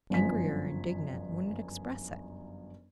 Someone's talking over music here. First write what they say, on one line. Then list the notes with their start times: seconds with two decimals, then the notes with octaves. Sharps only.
Angry or indignant wouldn't express it.
0.10 G1 F#2 F3 G#5 B6